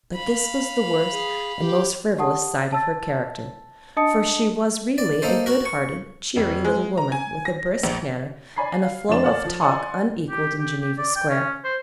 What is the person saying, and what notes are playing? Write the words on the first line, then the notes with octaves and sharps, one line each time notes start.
But this was the worst and most frivolous side of her character, for she was really a good-hearted, cheery little woman, with a brisk manner, and a flow of talk unequalled in Geneva Square.
F5 B5
G#4
G4
G4 F#5 A5 D#6
A5 E6 A6
D4 D#5 A5 D#6 C#7
D5
A#3 D#4 A4 C5
F#4 A#4
C#6
F1
G#3
A#5
G#5
A#6
A#1
D5 G#5 B5 G#6 C7
F5
F2 D3 F3 A#3 D5 E7
A4 C#5 D5 F5 F#5 F6
F3 A6
D5 D#5 F#5 G#5 C6
G4
G4
G4
D5
G5
C#4
C5